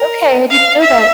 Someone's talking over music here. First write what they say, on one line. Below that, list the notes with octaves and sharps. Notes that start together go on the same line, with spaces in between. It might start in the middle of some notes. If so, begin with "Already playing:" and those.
Okay, I didn't know that.
Already playing: A#4
F5
E5